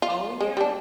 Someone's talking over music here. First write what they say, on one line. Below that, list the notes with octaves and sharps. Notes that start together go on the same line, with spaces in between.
Oh, yeah.
F4
G#3
G3 D4